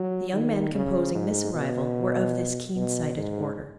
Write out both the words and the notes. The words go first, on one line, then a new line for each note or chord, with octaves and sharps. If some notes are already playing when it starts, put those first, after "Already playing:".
The young men composing this arrival were of this keen-sighted order.
Already playing: F#3
D#3
C#3
G#2
B2
B2
G#2